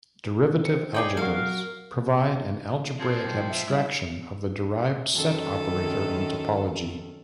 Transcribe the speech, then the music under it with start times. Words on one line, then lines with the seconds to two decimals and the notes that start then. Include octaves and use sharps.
Derivative algebras provide an algebraic abstraction of the derived set operator in topology.
0.63 C4 C#7
0.94 D#4 G#4 D5 G5
1.17 F#3 F#4 A#4 F5
3.00 F3 C4 G#6
3.23 B1 G5
3.49 E5
3.68 G3 E4
5.12 F#2 D#3 A4